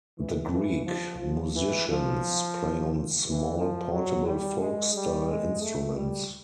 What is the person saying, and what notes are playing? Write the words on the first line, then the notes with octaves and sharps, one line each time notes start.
The Greek musicians play on small portable folk style instruments.
E3
E3
F3
F3
E3
F3
E3
F3
F#3
G3
G#3
G3
G#3
A3
G3